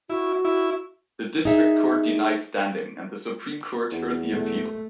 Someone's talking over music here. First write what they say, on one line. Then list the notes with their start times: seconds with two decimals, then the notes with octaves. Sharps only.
The district court denied standing, and the Supreme Court heard the appeal.
0.10 E4 F#4
0.45 E4
1.45 D#4 G#4 E5
3.92 E2
4.32 A3